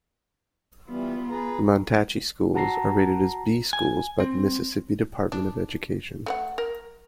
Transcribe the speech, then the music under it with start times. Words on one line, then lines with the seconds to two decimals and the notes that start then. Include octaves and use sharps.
The Mantachie Schools are rated as "B" schools by the Mississippi Department of Education.
0.88 E3 G3 B3 F4
1.30 G#4 B4 A#5
2.54 F#4 F#5 A5 A#5 A#6 C7
3.73 G#5
4.20 C4
5.32 D4
6.26 A3 A#4 F#5
6.58 A#4